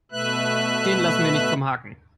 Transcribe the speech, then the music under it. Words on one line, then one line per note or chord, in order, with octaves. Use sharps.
Den lassen wir nicht vom Haken.
B2 A3 B4 E5 F#6